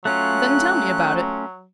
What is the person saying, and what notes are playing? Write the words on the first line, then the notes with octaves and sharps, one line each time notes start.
"Then tell me about it."
F#3 A3 C#4 F4 F#6